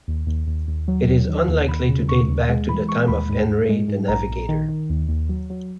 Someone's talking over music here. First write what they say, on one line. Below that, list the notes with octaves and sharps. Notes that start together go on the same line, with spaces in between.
It is unlikely to date back to the time of Henry the Navigator.
D#2
D#2
D#2
D#2
F#3
D#2
D#3
D#2
D#2 B5
C#3
D#2 C#6
D#2
G#3
E3 B5
G#3 C#6
D#2 B5
G#2
G#2
G#3
G#2
A#1 A#5
A#1
D#3
D#3
D#2
D#2
F#3
F#3